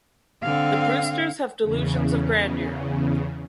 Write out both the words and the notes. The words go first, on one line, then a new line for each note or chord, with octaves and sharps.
The Brewsters have delusions of grandeur.
D3 C4 F5
E2 C#3